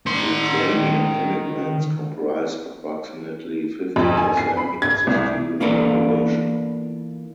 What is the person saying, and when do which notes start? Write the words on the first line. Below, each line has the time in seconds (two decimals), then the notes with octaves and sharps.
Ukrainian immigrants comprise approximately fifteen percent of the student population.
0.06 D#3 C6
3.96 F2
4.17 G#5
4.37 C7
4.57 B5
4.82 G#6
5.07 C2
5.60 E3 A#3 B3 D4 F4 A4